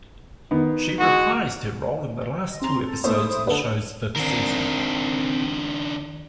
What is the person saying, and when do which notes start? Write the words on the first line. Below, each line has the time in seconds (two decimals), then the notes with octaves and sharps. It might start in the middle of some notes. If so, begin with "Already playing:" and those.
She reprised her role in the last two episodes of the show's fifth season.
0.51 D#3 B3
0.99 G#3 F#4
2.50 D#5
2.61 C4 A#5 C6 F7
2.85 A4
3.04 B1 A3 E4 C5 D#6
3.47 D3 A4 B4
4.16 D#3 C4 D4 A#4